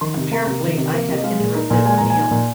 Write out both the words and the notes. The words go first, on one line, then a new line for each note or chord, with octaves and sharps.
Apparently I had interrupted a meal.
D#3 C6
C3
A#3 A#5
C3
D#3
C3
A#3
C3
D#5
G#3 F5
A#2 G#4
D#4 A#4
A#2 G#5
G#3 G#5
A#2 A#5
G#5
D#4
A#2